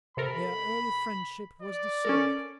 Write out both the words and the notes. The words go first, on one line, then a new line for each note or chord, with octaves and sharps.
Their early friendship was dissolved.
C3 A4 A#4 B5
D5
C#4 A4 A#4